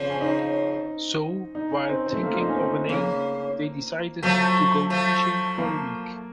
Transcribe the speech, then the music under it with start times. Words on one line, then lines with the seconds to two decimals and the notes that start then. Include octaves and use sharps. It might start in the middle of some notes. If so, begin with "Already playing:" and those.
So while thinking of a name, they decided to go fishing for a week.
Already playing: C#3 F3 C4
0.10 C#4
0.21 D#4
1.55 D#4
1.72 C#4
1.89 C4
2.06 C4
2.14 A3
2.23 A#3
2.33 F4
2.41 D#4
2.48 C#4
2.56 C4
2.89 C#3 A#3
4.22 F3 F#3 A3
4.90 F3 A3
5.58 A#3